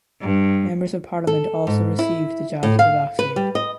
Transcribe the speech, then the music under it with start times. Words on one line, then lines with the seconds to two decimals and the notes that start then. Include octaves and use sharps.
Members of Parliament also received the jabs of the vaccine.
0.21 G2
1.27 A4
1.67 G#2
1.99 E4
2.63 A2
2.79 F5
3.19 B4
3.36 G3
3.55 D#5